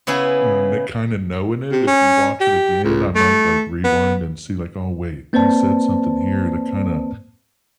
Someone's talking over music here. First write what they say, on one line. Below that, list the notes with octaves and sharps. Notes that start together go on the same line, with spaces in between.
mm, kinda, knowing it. If you watch it again, I might, like, rewind and see, like, oh, wait, he said something here to kinda
C#3 B3 E4 G#4
C3
C#4
G4
C#2
A3
B3
A#3 C4 B4 C5 D5 A5